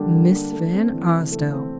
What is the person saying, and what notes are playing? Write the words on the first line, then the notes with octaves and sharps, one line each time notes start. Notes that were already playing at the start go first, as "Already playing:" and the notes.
"Miss Van Arsdale!"
Already playing: D3 G3 A#3 D4
A#3
D4
A3
C4
E3
C3
A3
C4